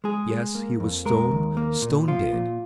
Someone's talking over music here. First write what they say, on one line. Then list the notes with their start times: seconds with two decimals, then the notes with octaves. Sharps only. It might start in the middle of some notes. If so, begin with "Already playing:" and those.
Yes, he was stone, stone dead.
0.04 G#3 G#4
0.30 G#3
0.55 A#3
0.80 F2
1.05 G#3 A#4
1.31 D#2
1.57 A#3
1.82 A#2
2.08 F3 F4
2.33 A#2